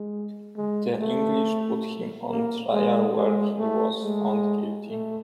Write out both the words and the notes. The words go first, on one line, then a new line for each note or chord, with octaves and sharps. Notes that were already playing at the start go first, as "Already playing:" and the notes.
The English put him on trial where he was found guilty.
Already playing: G#3
G#3
A3
A#3
G#3
G#3
A3
G#3
A3